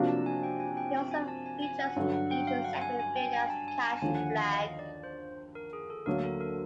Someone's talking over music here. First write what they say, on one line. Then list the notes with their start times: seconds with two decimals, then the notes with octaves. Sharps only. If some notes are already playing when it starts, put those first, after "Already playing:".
He also features in each segment, billed as Cash Flagg.
Already playing: C3 F3 A#3 D4 F#4
0.08 A5
0.26 G#5
0.43 G5
0.60 G#5
0.77 G5
1.11 G#5
1.28 A5
1.46 G#5
1.62 G#5
1.79 F#5
1.96 G2 D3 F#3 F#5
2.14 F#5
2.31 G5
2.47 F5
2.64 F#5
2.81 G#5
3.00 G#5
3.16 G5
3.33 G#5
3.50 A5
3.68 G#5
3.85 A5
4.02 D#2 D3 F3 G#5
4.15 F#5
4.27 F#5
4.41 F5
4.53 D#5
4.79 D5
5.04 C5
5.55 A#4
5.73 G#4
5.90 A4
6.06 D2 D3 F#3 A#3 A#4
6.23 A4
6.41 A#4